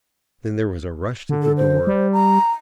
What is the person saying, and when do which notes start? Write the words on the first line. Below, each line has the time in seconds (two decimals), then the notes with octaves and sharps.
Then there was a rush to the door.
1.29 D3
1.42 A4
1.57 C5
1.87 G3
2.12 A#5